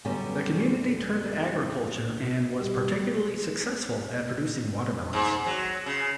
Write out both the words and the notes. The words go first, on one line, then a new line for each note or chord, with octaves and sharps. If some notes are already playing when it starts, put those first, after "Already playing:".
The community turned to agriculture and was particularly successful at producing watermelons.
F#2 B2 D3 G3 C#4
G3 G4
G#2
F#3
C#3